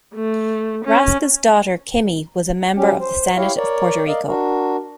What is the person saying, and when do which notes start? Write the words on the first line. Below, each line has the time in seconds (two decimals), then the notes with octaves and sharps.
Raschke's daughter, Kimmey, was a member of the Senate of Puerto Rico.
0.14 A3
0.85 C#4
2.76 F#3 G3 C#4 G4
3.00 C5
3.36 E4 G4 C#5 F5
3.57 A#4 C#5 D5
4.07 A#4 D5 D#5 F5
4.27 D4 F#4 A#4